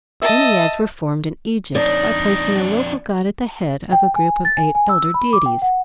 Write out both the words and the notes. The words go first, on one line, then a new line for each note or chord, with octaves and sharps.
Enneads were formed in Egypt by placing a local god at the head of a group of eight elder deities.
D#5 E5 A5
F2 D4 D#4 D5
G5
G#5
A6
G#5
G#5
E6
B5
D6
G5
F#5